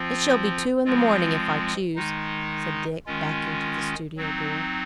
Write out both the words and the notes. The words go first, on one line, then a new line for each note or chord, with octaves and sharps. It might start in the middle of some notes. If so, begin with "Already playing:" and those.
'It shall be two in the morning, if I choose,' said Dick, backing to the studio door.
Already playing: F3 C4 F4
F3 G#3 C4 F4
D#3 G#3 D#4
D#3 G#3 C#4 F4
F#3 C4 D#4